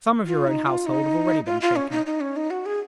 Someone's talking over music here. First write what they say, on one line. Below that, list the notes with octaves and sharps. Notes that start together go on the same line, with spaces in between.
Some of your own household have already been shaken.
F4
D#4
F4
D#4
F4
F4
C#4
D#4
D#4
C#4
D#4
F#4
G#4